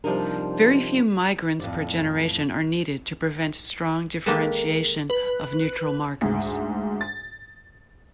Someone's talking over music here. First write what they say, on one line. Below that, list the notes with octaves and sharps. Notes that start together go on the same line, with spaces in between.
Very few migrants per generation are needed to prevent strong differentiation of neutral markers.
C3 F3 G3 D4 D#4 A#4
F2 A2 D5
D#3 G#3 A#3 G4 A4 B4
B4
D2 G#2
A6